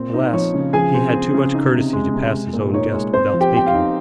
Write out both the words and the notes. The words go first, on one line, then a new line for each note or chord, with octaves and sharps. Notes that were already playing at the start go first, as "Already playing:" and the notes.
Alas! he had too much courtesy to pass his own guest without speaking.
Already playing: A#2 C4
D#4
F3 C#5
C#3
F3 G#4 G#5
C4
C4
C#3
D#4
C3
G#3
C3
G#3
A#2
D#4 C#5
G#3
C4 C5
F3
G4 G5
C4 G5
F4 F5
D#4